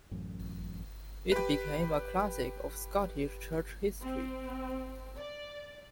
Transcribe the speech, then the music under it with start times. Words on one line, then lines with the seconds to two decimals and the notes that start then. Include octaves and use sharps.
It became a classic of Scottish Church History.
0.11 A1 F#2
1.32 G4 B4
4.02 C4
5.17 D5